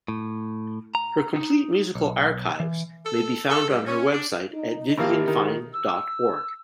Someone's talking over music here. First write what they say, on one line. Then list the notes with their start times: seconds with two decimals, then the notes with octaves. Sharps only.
Her complete musical archives may be found on her website at vivianfine dot org.
0.08 A2
0.95 A#5
1.36 D#4
1.95 B1
2.60 E3
3.06 A4
3.47 A4
3.68 G2
3.87 C#4
4.12 D4
4.52 D#4
4.98 G#1 A#3 E4 G4 F5
5.28 D#3
5.73 E6